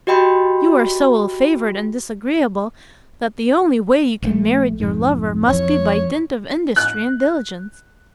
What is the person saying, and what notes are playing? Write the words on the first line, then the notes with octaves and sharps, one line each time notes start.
You are so ill-favored and disagreeable that the only way you can merit your lover must be by dint of industry and diligence.
F#4 G4 D#5 G5 B5 C6
A#1 E3 A3
B1 F2 G#2
F2 E3 C#5
F#6